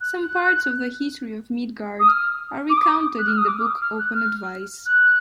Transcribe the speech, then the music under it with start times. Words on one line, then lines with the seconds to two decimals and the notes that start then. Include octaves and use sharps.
Some parts of the history of Midgard are recounted in the book Open Advice.
0.01 F#6
2.00 D#6
2.08 F6
2.70 D6
2.77 D#6
3.19 F#6
3.28 F6
3.38 D#6
3.46 D6
3.59 F6
3.64 D#6
3.82 F6
3.99 F#6
4.16 F6
4.86 F#6